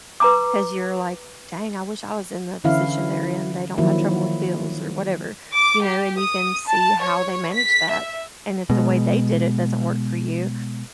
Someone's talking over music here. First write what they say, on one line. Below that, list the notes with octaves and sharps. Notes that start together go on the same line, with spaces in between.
'cause you're like, "Dang, I wish I was in the position they're in. They don't have trouble with bills or whatever." you know, and you can see how they manage that. And if the way they did it doesn't work for you,
B4 A#5 D6
D3 E3 C#4 E4 F5
D#3 F3 F#3 A#3 E4
D6
G4
D#6
A5
C#5
B6
E5
B2 G#3